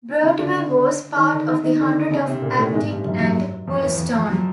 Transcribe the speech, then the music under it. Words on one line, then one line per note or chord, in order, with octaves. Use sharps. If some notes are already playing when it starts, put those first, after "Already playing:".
Broadway was part of the hundred of Abdick and Bulstone.
C#3 C#4
D3 D4
D#3 D#4
D3 D4
D#3 D#4
D#3 D#4
D3 D4
C#3 C#4
C3 C4
A#2 A#3
A2 A3
G#2 G#3
G2 G3
F#2 F#3
F#2 F#3
F2 F3
E2 E3
F2 F3
F2 F3
F#3